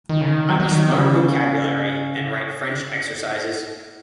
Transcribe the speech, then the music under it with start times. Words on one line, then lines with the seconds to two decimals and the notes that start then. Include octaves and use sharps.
I must learn vocabulary, and write French exercises.
0.09 D#3
0.21 C#3
0.27 D#3
0.49 F#3
0.60 F#3
0.72 D#3
0.94 C#3